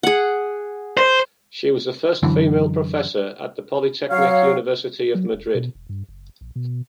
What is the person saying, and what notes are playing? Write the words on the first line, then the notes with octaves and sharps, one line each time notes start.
She was the first female professor at the Polytechnic University of Madrid.
G#4 F#5
C5
F#2 D3 E3
F#3 C#5 F5
F#3
E1
B2
E1
G2
F#1
A#1
B2